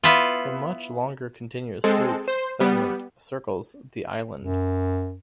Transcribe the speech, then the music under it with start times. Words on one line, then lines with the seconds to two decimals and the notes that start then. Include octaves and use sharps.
The much longer continuous loop segment circles the island.
0.04 B3 E4 F4
1.84 G#3 C4 A4
2.28 C5
2.60 G3 B3
4.39 F#2